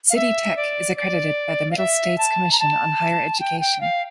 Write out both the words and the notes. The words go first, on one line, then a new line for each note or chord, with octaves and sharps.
City Tech is accredited by the Middle States Commission on Higher Education.
F5
E5
D5
D5
F5
E5
A5
A#5
A5
G5
G5
F5